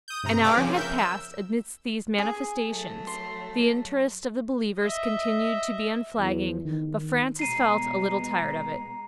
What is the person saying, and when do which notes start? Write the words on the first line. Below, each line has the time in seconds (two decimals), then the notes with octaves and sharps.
An hour had passed amidst these manifestations--the interest of the believers continued to be unflagging, but Francis felt a little tired of it.
0.08 D#6 G6
0.23 G2 C3 A#5
0.43 G#4 B4 D5 F5 G5 D6
0.56 C#3 F3 C4 C#4
0.74 A#4 E5 G6
0.98 E6
2.18 G#4
2.68 F#3 A3
3.07 C6
4.79 D#5 E5
6.19 E2
6.65 D#3
7.39 B2 G#3 A#5 C7 D#7